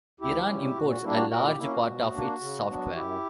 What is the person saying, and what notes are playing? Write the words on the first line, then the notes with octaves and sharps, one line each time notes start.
Iran imports a large part of its software.
D2 E4 G4
C#3 G3 C#4
A#2 F#4
F#4
G3 A#3 D4 E4
F#4
A#2 F#4 A#4
E4 G4
A#3 C#4 E4
F#4
B2
A#3 D4
C#3
F#3 B3 D4
F#2 E4 G4